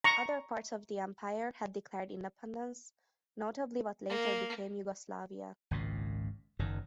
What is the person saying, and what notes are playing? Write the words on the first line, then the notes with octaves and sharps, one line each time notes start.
Other parts of the empire had declared independence, notably what later became Yugoslavia.
A#5 C#6
A#3
G#1 C#2 A#2
F#1 F#2 D#3